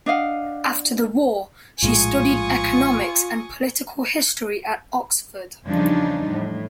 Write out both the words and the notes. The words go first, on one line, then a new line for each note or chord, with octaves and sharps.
After the war, she studied economics and political history at Oxford.
D4 D#5 F5 F#5
A#1 A2 G#3 F4 G#5 C#6 D#6
E2 C#3 F3 G3 D4 D#4
A2